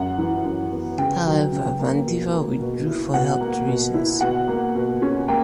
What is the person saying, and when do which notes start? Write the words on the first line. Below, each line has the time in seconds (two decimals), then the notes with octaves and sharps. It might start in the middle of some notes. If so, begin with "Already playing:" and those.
However, Vandiver withdrew for health reasons.
Already playing: F#2 F#5
0.18 E3
0.44 F#2
0.72 B3
0.98 C#3 G5
1.25 F#3
1.52 C#3
1.79 A#3
2.06 B2
2.32 A#3
2.60 B2
2.87 E4
3.14 B2 F#5
3.41 A#3
3.67 B2
3.94 E4
4.21 B2 F#5
4.48 A#3
4.75 B2
5.02 C#4
5.28 A#3 G5